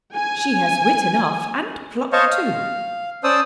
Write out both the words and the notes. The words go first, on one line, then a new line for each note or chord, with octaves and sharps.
"She has wit enough,--and pluck too."
G#5
C5 C#5 D#5 F5 A5 C#6
F5
C#4 C5 D5 A5 D#6 E6